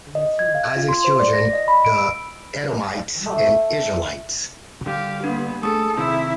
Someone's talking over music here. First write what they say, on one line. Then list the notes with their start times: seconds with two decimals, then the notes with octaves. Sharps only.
Isaac's children the Edomites and Israelites.
0.15 D#5
0.39 G#6
0.55 F5
0.76 F4
0.89 C6
1.04 C5
1.20 D5
1.33 A#6
1.53 D#5
1.68 B5
1.85 D7
1.98 E6
3.26 A3
4.86 D3 G3 G4 F5
5.24 A#3 B3 D4
5.63 A3 G#4 A4 D#6
5.97 C3 D#3 C4 E4 E5